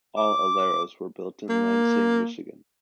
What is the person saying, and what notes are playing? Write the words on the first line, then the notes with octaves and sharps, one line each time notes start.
All Aleros were built in Lansing, Michigan.
D6
A#3